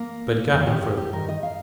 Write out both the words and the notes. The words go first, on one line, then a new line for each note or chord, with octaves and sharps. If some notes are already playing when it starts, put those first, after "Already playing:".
But he got no further.
Already playing: A#3
F2 D#3
G4
G4
G4
G2 D#3 A#4
D#5
F5